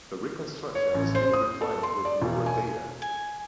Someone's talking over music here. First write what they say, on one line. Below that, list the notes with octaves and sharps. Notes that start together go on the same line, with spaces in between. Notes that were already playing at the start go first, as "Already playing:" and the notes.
The reconstruction is being refined with newer data.
C#5
A1
C5
D#6
A4
C6
D5
E1
G#5
G#5